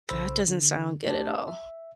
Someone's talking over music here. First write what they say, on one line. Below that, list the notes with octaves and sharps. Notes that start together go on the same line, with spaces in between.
That doesn't sound good at all.
B1 C#3 C5 B5 E6
D3
A3 D4 G4 D5 A5
E5